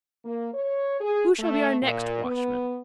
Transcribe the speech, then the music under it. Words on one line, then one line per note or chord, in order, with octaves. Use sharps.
Who shall be our next watchman?
A#3
C#5
G#4
A3
A#2
B3